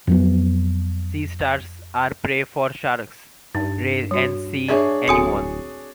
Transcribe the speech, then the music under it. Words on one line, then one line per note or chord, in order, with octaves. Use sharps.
Sea stars are prey for sharks, rays, and sea anemones.
F2 F#3 B3
G2 D#4
G3 F#4
D4 G#4 C#5 D5 E5
D1 C4 F#4 A4 G#5 D#6 C#7